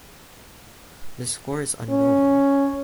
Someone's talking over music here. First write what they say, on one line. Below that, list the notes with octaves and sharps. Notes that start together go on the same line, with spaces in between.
The score is unknown.
C#4